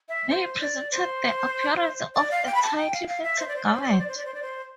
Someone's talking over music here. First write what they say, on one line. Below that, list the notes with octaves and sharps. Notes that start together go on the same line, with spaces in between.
They presented the appearance of a tightly-fitting garment.
E5
C5
D5
C5
D5
F5
G5
B5
A5
G5
F5
F5
E5
C5
D5
C5
D5
C5
D5
C5
D5
C5
D5
C5
D5
C5